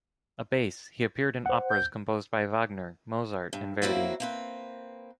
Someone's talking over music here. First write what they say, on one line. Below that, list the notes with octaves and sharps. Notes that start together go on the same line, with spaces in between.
A bass, he appeared in operas composed by Wagner, Mozart and Verdi.
C5 F#5
G6
G2
F3 F#3 A#3 C4 E4 F#4
A#3 C4 B4